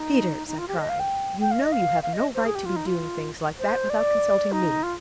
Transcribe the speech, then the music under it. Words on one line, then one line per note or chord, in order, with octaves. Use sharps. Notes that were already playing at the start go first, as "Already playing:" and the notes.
'Peters,' I cried, 'you know you have no right to be doing things like that without consulting me!
Already playing: D#4
D#4
F4
G4
D#5
F5
G5
G5
F5
D#5
F5
F5
D#5
C5
G#4
G4
F4
D#4
F4
C5
D5
D#4
F4